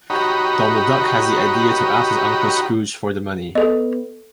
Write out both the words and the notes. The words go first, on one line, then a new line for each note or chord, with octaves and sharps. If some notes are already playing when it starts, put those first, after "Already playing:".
Donald Duck has the idea to ask his Uncle Scrooge for the money.
D#4 F#4 G4 C#5 A#5 B5
B3 A4 D#5